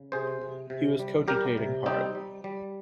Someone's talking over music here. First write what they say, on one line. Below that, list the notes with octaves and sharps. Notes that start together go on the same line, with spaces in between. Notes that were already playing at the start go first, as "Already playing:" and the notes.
He was cogitating hard.
Already playing: C#3
C3 G#4 C5
C3
C3
G3
G3 G4 A#4
C3
G3 C4 D#4
G3
G3